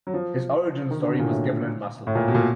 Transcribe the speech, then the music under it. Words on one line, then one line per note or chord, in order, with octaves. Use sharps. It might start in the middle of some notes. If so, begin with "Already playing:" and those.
His origin story was given in "Musclebound".
F#3
F3
D#3
D3
B2
A#2
A2
A2
A#2
B2
A#2